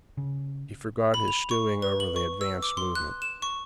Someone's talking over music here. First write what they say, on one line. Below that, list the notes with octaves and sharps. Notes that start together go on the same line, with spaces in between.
He forgot his stewing over the advance movement.
C#3
B5
F7
C#6
B4
F#7
C#6
E6
D6
C6
F#6
E7
C#6